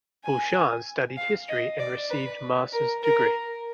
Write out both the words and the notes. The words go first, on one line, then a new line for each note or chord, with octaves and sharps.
Bhushan studied History and received masters degree.
G#5
F5
D#5
D5
B4
A#4
A#4